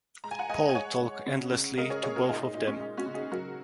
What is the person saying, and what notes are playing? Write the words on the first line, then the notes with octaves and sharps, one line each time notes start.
Paul talked endlessly to both of them.
G#3 A#5
G#5
F#5 A#5
G#3 D#5 G#5
G#5
G#3 C#5 F#5
G#3
C#3
C#3
G#3 A#4 D#5
G#4 C#5
G#3 G#4 C#5
F#4 A#4
A#2 D#4 G#4
D#4 G#4
A#2 D#4
C#4
G#3 D#4
C#4 F#4
C#3
D#4 G#4
F#3 F#4 A#4